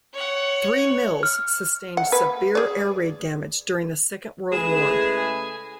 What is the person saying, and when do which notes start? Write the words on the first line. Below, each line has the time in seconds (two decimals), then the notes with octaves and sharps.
Three Mills sustained severe air-raid damage during the Second World War.
0.13 C#5 F#5
1.23 F6
1.97 F#5
2.12 A#3 B4
2.55 G#4 D5
4.52 C#3 G#3 A3 E4 G#4 B4 E7
5.17 G#5